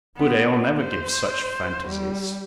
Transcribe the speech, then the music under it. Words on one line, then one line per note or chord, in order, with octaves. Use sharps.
Good ale never gives such fantasies.
B3
C5
G3